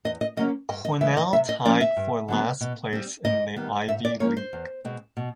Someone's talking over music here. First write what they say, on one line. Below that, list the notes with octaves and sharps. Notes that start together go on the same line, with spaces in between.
Cornell tied for last place in the Ivy League.
E2 D#5
D#5
C#3 F#3 A#3 C#4 D#5
G2 D#5
D#5
E3 G#3 E5
D#5
C3 E5
D#5
F3 A#3 C#4 D5
E5
G2
D3 F#3 B3
B2
G3 C4
G#2 D#5
D#3 G3 B3
G#2 E5
D5
F3 A#3 C#4 C#5
C5
E2
B2 G#3 C4
B2